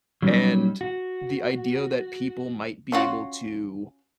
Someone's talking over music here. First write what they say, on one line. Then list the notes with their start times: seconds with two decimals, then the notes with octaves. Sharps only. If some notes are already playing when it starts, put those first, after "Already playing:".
and the idea that people might be able to,
0.22 F#3 G3 C#4 D#4
0.81 F#4
2.92 C#4 F4 F#4